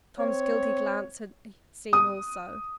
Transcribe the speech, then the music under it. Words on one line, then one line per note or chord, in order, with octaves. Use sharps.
Tom's guilty glance had seen also.
C4 C#5
D#6